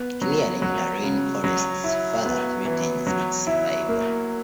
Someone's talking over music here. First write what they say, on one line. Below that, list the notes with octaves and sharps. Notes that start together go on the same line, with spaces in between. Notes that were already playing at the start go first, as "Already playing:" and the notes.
Clearing the rain forests further threatens its survival.
Already playing: B3
F#3
F#3
C#3
F#3
E4
B3
E3
F#3
E4
A#3